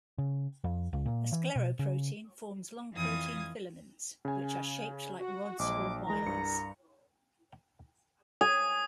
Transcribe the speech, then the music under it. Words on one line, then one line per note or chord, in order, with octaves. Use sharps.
A scleroprotein forms long protein filaments, which are shaped like rods or wires.
C#3
F2
C#2
A#2
E3
B2
C#3
F2 E3 F3 F5 D#6 G#6
C#3 G#5
F#4
A#1 F#3 G#3 D6
C2 E3 G3 G#3 A#5
G2 C#7
G#5 D#6